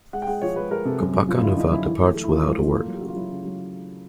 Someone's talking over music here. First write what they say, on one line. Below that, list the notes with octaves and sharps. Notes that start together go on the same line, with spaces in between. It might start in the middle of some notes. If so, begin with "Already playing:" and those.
Kopaka Nuva departs without a word.
G#3 F#5
G5
G#3 F#5
F3 C#5
G#3 B4
G#3 A#4
C3 A4
F#2
F#2
F3
F4
D3 E4
F3 D#4
F#2 E4
E3 E4
A3
A3
E4
E3 F4
G#2
A3
E4
A#3 F4
F#3
G4
C#3 F#4
F4
F#3 E4
C#3
F#3